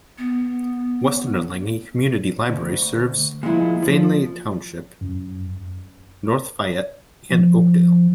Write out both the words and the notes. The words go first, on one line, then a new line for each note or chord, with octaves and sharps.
Western Allegheny Community Library serves Findlay Township, North Fayette, and Oakdale.
B3
D2
A#2 F3 G#3 E4
F3
F#2
F3